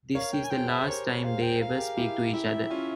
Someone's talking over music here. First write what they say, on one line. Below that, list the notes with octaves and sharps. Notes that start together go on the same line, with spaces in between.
This is the last time they ever speak to each other.
A#4 C#5 F5
G5
G#5
G#4 C5 G5
E5
C5
G4 A#4 C#5
C#5
G#4 C5 F5
G5
A#4 F5
G#4
G4 A#4
E4 G4
E4 G4 E5
C#4 F4